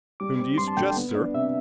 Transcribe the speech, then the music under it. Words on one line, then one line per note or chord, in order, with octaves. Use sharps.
"Whom do you suggest, sir?"
G3 D6
C4
G2 C6
A5
D3 G5
B3
D4
C3 E5